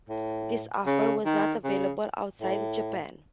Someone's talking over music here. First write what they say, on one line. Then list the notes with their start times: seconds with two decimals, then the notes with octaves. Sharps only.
This offer was not available outside Japan.
0.09 A2
0.86 C#3
1.26 D#3
1.64 C#3
2.41 A2